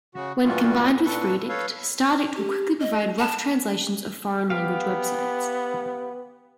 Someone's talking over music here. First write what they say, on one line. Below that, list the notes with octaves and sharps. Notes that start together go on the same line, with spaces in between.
When combined with Freedict, StarDict will quickly provide rough translations of foreign language websites.
C#3 F#4
G2 A#2 E3 G3 F4 F#4
F2 B2
A#2 D4 A4 B4 C#6
A4 B4 C#5 F5
G4
D#5
A5
B3 G4 F5